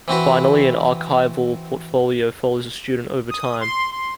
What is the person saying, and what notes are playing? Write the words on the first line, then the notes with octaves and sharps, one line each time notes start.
Finally, an archival portfolio follows a student over time.
E3 C4 F#4 B4
D#6
C6
C6